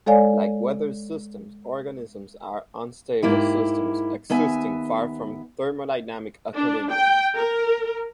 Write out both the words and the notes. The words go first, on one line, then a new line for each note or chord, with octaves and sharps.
Like weather systems, organisms are unstable systems existing far from thermodynamic equilibrium.
G#3 A4 C#5 D5 F5 G#5
G#2 A#3 E4 G4
D#2 B3 E5 G#5
D4
G5
A#4